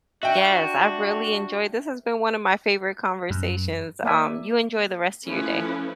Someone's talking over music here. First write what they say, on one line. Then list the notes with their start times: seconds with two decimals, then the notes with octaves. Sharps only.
Yes, I really enjoyed This has been one of my favorite conversations, um, you enjoy the rest of your day.
0.23 D4 F#4 E5 G5
3.30 F#2
4.04 A#3 D5 E5 G#5
5.27 F3 A3 C#4 E4 B4